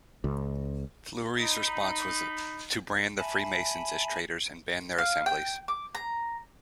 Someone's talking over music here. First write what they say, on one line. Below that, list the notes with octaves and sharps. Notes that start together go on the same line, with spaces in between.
Fleury's response was to brand the Freemasons as traitors, and ban their assemblies.
C#2
D#4 B5
E5 G#5 A5 B5
F5
G5
D6
A#5